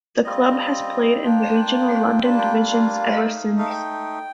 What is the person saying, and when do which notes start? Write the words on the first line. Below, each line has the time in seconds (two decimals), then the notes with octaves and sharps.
The club has played in the regional London divisions ever since.
0.24 G3 C4 F4 D#5
1.23 A#3 D4 F4 G5
2.22 G3 A#3 D4 F4 A5
2.38 G5
2.55 F5
2.71 F5
3.21 A3 D#4
3.59 F5
3.70 G5